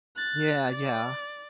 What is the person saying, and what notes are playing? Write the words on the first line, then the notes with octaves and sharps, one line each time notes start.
Yeah, yeah.
F#6 A6
D5